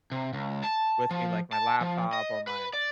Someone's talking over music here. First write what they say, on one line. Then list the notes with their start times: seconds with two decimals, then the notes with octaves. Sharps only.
with me, like my laptop or my
0.12 C3
0.33 C#2
0.64 A5
1.11 F3
1.53 A5
1.81 F3
2.13 D#5
2.47 B4
2.73 D5